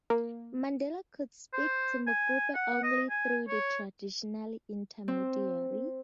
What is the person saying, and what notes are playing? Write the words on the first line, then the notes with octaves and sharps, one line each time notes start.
Mandela could speak to Mokope only through the traditional intermediary.
A#3
C5
G#5
F#5
D#5
G#5
C#5
C4